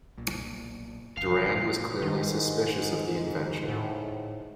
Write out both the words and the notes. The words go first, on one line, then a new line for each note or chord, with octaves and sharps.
Durand was clearly suspicious of the invention.
B1 A#2
F#1 E3 F5 C7
G#2 D#3
A2